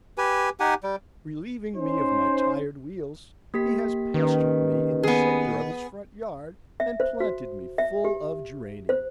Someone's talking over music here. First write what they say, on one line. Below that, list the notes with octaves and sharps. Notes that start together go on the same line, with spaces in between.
Relieving me of my tired wheels, he has pastured me in the center of his front yard and planted me full of geraniums.
G4 B4 G#5
D#4 G4 F#5 G#5
G3
C#4 D#4 C5
A#3 G4 B6
D#3 C#4 B4
B3 G#4
E5
C5
F#4
E5
G4
C5